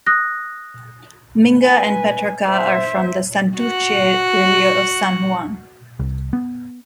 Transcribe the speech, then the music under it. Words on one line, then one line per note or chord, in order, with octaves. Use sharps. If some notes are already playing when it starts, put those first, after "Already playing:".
Minga and Petraca are from the Santurce area of San Juan.
D#6 F#6 A#6
B4 G#5
C5 E5
F#4 F#5
C2
B3